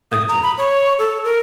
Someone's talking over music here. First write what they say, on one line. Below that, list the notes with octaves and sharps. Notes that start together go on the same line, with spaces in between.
I see.
D#6
A#5
B5
C#5
A4
A#4